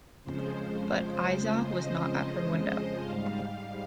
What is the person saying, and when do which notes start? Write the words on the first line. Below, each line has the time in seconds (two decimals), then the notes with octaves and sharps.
But Aizah was not at her window.
0.24 F2 C#3 F3 G#3 C5
1.62 D#5
3.00 G#2 G3 F5